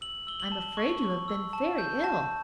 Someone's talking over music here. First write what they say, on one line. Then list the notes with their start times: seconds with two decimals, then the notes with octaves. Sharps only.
"I am afraid you have been very ill."
0.01 E6 F#7
0.27 E6 G7
0.40 F#7
0.52 A5
0.77 C#6
1.03 C#6
1.28 E6
1.53 A5
1.78 G6
2.04 A5